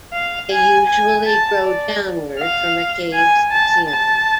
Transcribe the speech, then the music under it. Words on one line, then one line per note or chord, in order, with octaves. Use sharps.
They usually grow downward from a cave's ceiling.
F5
G#5
G#5
A5
D5
F5
G#5
A5
A5